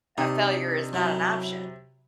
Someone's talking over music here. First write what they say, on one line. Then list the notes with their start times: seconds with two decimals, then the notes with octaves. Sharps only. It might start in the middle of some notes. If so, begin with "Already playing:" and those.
uh, failure is not an option.
0.18 C3 D4 D#4
0.93 F#2 F#3 E4